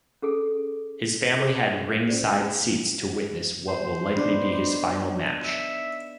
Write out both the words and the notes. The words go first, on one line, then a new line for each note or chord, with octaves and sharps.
His family had ringside seats to witness what will likely be his final match.
C#4 G#4 A4
G#4 C#5
C#4 C5 D5
C5
B3 D4 D#4
E5